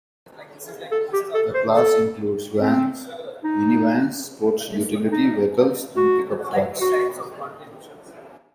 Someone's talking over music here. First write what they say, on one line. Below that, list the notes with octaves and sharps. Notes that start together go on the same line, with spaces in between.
The class includes vans, minivans, sport utility vehicles, and pickup trucks.
A4
G4
A4
C5
A4
C4
D#4
D#4
F#4
F#4